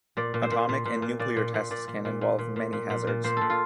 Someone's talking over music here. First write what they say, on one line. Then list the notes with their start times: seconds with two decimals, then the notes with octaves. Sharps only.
Atomic and nuclear tests can involve many hazards.
0.17 A#2 D5
0.34 A#2
0.43 C5
0.51 A#2
0.69 A#2
0.85 A#2
1.02 A#2
1.19 A#2 D5
1.37 A#2
1.54 A#2
1.71 A#2 D5
1.88 A#2
2.05 A#2
2.21 A#2
2.39 A#2
2.56 A#2
2.73 A#2
2.90 A#2
3.07 A#2
3.24 A#2 C5
3.37 A#2 A4
3.50 F4